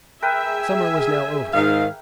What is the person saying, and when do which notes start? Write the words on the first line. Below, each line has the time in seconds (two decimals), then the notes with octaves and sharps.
Summer was now over.
0.22 G#4 A#4 B4 E5 G5 G#5
1.54 G#2 D#3 F5